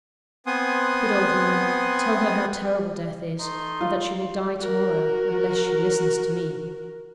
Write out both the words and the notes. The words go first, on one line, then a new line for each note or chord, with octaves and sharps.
Good old man, tell her how terrible death is; and that she will die to-morrow, unless she listens to me.'
B3 C4 F#5 G#5 C6 D#6
A3 D#4 C6
F4
F#4 A#4